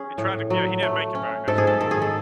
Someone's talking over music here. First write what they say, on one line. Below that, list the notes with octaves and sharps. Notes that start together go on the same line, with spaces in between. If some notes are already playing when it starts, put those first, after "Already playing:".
He tried to, yeah. He didn't make it back, that's right.
Already playing: C#4 G#4
A2
F#3
A3
C#4
G#2 A4
G#4
A4
D#3 A4
G#4
A4